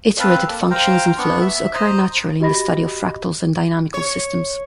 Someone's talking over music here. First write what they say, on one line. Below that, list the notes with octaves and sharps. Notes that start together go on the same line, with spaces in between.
Iterated functions and flows occur naturally in the study of fractals and dynamical systems.
C4 B4 F5 A5
A#3 A4
C5 F5 G5 A#5
B3 D4 C#6
E5
C5 D#5 A#5
F#4 G4 D#5 B5 A#6
C#5